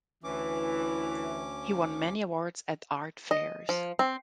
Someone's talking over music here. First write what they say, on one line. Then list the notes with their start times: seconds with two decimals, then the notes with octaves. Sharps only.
He won many awards at art fairs.
0.24 D2 E3 C#4 D6
3.31 D#5
3.69 F3
3.99 C4